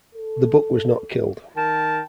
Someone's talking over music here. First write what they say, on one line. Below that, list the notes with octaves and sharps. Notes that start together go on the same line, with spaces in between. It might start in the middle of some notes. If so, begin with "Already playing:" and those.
The book was not killed.
A4
D#3 A#4 G5 A5